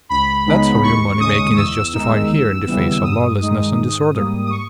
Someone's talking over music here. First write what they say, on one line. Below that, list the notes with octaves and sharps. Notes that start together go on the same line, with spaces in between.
That's how your money-making is justified here in the face of lawlessness and disorder.
C#2 B5
C#3 G#3 B3 D#4
D#2 C#6
C#6
C#3 G#3 D#6
E2 E6
D#3 G#3 D#4
D#2
C#3 E3 G3 B3
G2 D#6
D#3 G#3 D#4
G#2
G3 A#3
D#6
C#6